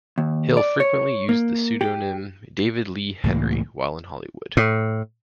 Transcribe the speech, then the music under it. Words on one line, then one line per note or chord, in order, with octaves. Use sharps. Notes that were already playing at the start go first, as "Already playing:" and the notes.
Hill frequently used the pseudonym David Lee Henry while in Hollywood.
D#2
D5
C#5
A#3
G4
C#2 A2 E3 A#3
A2